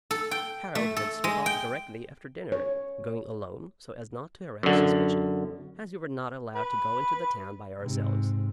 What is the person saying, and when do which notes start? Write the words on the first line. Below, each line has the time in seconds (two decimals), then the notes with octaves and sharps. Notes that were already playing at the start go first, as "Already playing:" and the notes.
Harold would slip off directly after dinner, going alone, so as not to arouse suspicion, as we were not allowed to go into the town by ourselves.
0.11 A4
0.31 G5
0.75 A3
0.96 A4
1.24 G#3
1.46 G5
2.52 C#5
4.63 F#2 D3
6.55 B4
7.80 G#2 C3